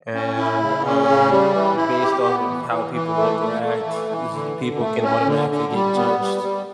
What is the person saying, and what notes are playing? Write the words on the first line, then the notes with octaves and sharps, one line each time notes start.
and, um, m based off of how people look or act, it's just, people can automatically get judged
C#4
E4
C#3
C#4
C#3
G3
E3
E4
G4
B3
E3
E3
E3
A3
A3
A3
E3
E3
D3
D3
A3
C#4
D3
D3
G3
B3
G3
G3